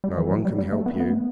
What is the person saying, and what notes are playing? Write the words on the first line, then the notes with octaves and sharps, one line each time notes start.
No one can help you.
G3
E3
F#3
G3
G3
A3
B3
B3
A3